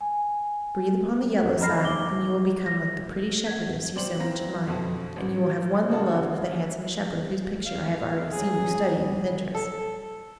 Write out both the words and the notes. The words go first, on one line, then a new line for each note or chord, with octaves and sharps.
Breathe upon the yellow side and you will become like the pretty shepherdess you so much admire, and you will have won the love of the handsome shepherd whose picture I have already seen you studying with interest.
G#5
D#5 A#5 B5 F6 A#6 C7
D#4 D6 G7
A#6
F#5 G#6
C4 D5 C6 F#7
E3 B3 C4 F4 A#5 A#6
F2 B2 D3
A1
C#3 D4 F#4 A5
F5
F#3 G#4
G3
A4